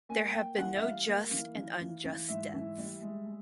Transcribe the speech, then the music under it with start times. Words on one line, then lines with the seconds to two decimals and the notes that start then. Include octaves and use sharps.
There have been no just and unjust deaths.
0.09 A#3 G#5
0.33 A#3 G5
0.58 E3 F#5
0.76 E5
0.82 G3 F5
1.06 A#3
1.31 E3
1.55 E3
1.81 E3
2.05 E3
2.28 G#2 E5
2.54 E3
2.78 G3
3.02 G#3
3.26 G#3